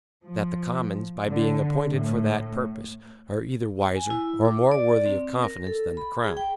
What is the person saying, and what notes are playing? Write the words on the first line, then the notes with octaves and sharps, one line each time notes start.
That the commons, by being appointed for that purpose, are either wiser or more worthy of confidence than the crown.
F3
D3
A2
G#5
E4
D6
D5
C4
A#4
A4
B5
G#4
G5